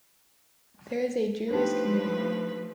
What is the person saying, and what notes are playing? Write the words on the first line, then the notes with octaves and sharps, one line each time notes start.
There is a Jewish community.
F3 A3 D4 D#4 G4 B4 C5 A5